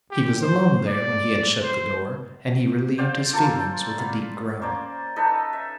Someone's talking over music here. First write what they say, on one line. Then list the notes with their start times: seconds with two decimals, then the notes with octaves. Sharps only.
He was alone there when he had shut the door--and he relieved his feelings with a deep groan.
0.11 G4
0.41 C5
0.87 D5
1.62 C5
2.98 C5 D5 F5 G5
3.33 A#3 F4 A4
3.98 F5 B5
4.62 A#3 C#4 C5 D5
5.16 D#4 A4 B4
5.53 E5